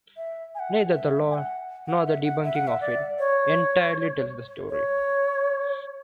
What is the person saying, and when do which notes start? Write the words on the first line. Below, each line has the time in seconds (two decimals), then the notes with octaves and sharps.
Neither the lore, nor the debunking of it, entirely tells the story.
0.17 E5
0.55 G#5
0.59 F#5
0.93 E5
1.31 G#5
1.34 F#5
1.87 F#5
2.06 E5
2.24 F#5
2.44 E5
2.56 F#5
2.67 E5
2.81 D5
3.19 C#5
4.70 C#5